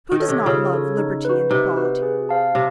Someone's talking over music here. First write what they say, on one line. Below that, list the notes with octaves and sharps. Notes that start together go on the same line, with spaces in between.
Who does not love liberty and equality?
D#3
A4 C#5
C3
C#3 F4
A4 C#5
D#4
F#4 B4
C3 D#4
F#4 B4
G#4
C5 F5 A5
C3